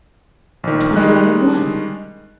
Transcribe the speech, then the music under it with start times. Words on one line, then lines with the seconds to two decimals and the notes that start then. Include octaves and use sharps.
"The twenty I have won."
0.64 A#1 D#3
0.96 D#3 G3 G#3 D#5 F#6